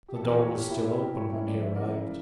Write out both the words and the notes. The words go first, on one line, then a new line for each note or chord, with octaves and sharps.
The door was still open when he arrived.
G4
A4
E2 G4 A#4
A4 C#5
E3 A#3 G4 A#4
E4 G4
A2 E4 G4
G4 A#4
G3 A#3 A4 C#5
C#4 E4
F2 D5
E5
C#3 E3 A#4 D5